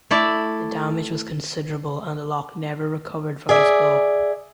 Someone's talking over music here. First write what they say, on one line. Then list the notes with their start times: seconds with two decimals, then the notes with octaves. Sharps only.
The damage was considerable and the lock never recovered from this blow.
0.11 A3 E4 D5
3.49 G#4 D5 E5